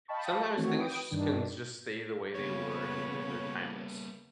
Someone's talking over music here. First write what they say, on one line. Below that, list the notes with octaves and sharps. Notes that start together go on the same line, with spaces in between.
Sometimes things sh can just stay the way they were and th they're timeless,
D#5 F5 G5 A5 B5 C#6
A5
D#3 E3 A3 C4 F#4 C#5
B4 G5 D#6 D7
G2 D#3 D4
C#3 G3 A#3 B3 C#5